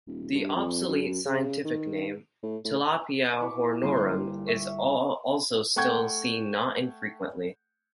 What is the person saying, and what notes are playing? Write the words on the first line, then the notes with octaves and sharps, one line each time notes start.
The obsolete scientific name "Tilapia hornorum" is also still seen not infrequently.
D#1
G2
F2
F#2
C#3
D#3
A2
A2
E4 C#6 D6
G1 G2 A#3 C6
E5 C#6
A3 F#5 G5 C#6 G6 G#6